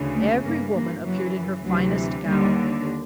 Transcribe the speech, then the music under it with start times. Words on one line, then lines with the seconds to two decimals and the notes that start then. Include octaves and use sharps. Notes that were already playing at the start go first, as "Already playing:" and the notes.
Every woman appeared in her finest gown.
Already playing: D2 C#3 E3
0.15 A3
0.45 G2 E3 A#3
0.75 A#3
1.05 F#2 C#3 E3 F#3
1.65 D2 C3 E3 F#3
2.25 D#2 D3 G3